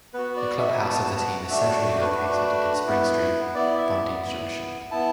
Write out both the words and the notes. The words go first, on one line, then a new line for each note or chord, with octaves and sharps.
The clubhouse of the team is centrally located in Spring Street, Bondi Junction.
B3 F#4 B4
D5
E5
B3 F#4 A5
A5
F#5
A3 D4 F#4 E5
B4
A3 D4 F#4
B3 E4
B3 E4 D5
E5
B3 E4
B3 E4 A5